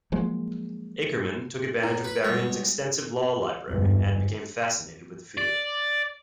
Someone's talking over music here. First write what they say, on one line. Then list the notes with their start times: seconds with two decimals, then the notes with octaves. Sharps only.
Akerman took advantage of Berrien's extensive law library and became fascinated with the field.
0.12 F3 F#3 G#3 A#3
1.83 A2 E4
2.04 B4 B5
2.23 B1 G3 G#3 C#5
3.68 G1 E2 G#2
5.37 D5